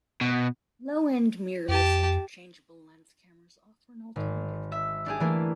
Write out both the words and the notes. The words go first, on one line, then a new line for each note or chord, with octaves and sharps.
Low-end mirrorless interchangeable lens cameras offer an alternative to bridge cameras.
B2
F2 G4 A5
G#1
E5
D4 G4 G#4
E3 A3 A#3 D4